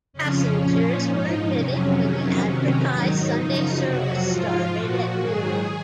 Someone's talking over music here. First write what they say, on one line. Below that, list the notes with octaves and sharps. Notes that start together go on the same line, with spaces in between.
Passengers were admitted when the advertised Sunday service started at noon.
F2 C#3 F3 C#4
A#2 F3 C#4
G#2 F3 D#4
F2 C3 F#3 C#4
F2 C3 D#3 F#3 C#4
F2 C3 D#3 F#3 C#4
G#2 D#3 F#3 D#4
F#2 C#3 F3
F2 C3 F#3 F#4
G#2 F3 F4
A#2 F3 F#4
G#2 D#3 F#3 G#4